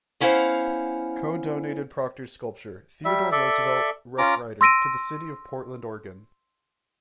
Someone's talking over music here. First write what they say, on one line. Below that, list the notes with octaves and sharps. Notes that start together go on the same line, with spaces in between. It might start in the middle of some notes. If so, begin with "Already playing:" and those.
Coe donated Proctor's sculpture, "Theodore Roosevelt, Rough Rider", to the city of Portland, Oregon.
B3 C#4 E4 C5 F5 F#5
G3 E5
A4 D5 E5
C#4 F4 A#5 D6
C6 E6 A#6 D7 D#7